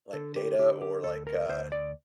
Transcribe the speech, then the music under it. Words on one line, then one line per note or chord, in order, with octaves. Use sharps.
like, data or, like, uh,
D3 A4
G4
D3 G4
G4
D2 A4
A#4
D2 C5
D5